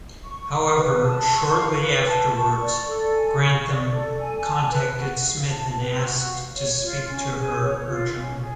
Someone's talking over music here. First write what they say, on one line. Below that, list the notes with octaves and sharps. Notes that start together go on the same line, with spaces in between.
However, shortly afterwards Grantham contacted Smith and asked to speak to her urgently.
C#6
F5
B4
A5
C#6
F5
B4
A5
C#6
D5
A4
G#5
C#6
D5
A4
G#5
A5
B4
F#4
F5
A5
B4
F#4
F5
C#5
F4
C#4
G#4
C#5
F4
C#4
G#4